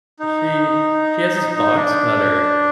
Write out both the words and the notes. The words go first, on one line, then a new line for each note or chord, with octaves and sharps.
she she has this box cutter
D#4
D#4
D#4
D4